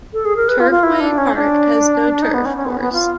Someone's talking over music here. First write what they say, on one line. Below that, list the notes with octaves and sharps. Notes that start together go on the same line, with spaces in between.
Turfway Park has no turf course.
A4
G#4
A#4
B4
F4
F4
E4
D4
C#4
D4
D#4
B3
C#4
C#4
C4
B3
B3
F4